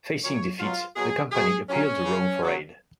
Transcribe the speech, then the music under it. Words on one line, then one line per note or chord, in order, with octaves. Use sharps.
Facing defeat, the Campani appealed to Rome for aid.
A#2 F#3 C#5
B2 F#3 F4
B2 F#3 G#4
B2 F#3 G#4
A#2 F#3 C#4
C#3 F#3
C#3 F#3